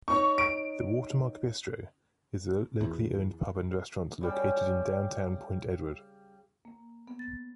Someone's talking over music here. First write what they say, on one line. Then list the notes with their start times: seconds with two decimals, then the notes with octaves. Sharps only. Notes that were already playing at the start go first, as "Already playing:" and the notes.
The Watermark Bistro is a locally-owned pub and restaurant located in downtown Point Edward.
0.08 D#4 C#5 C#6
0.38 D7
2.81 E2
4.21 C#3 G3 G5
6.65 A#3
7.08 B3
7.19 A6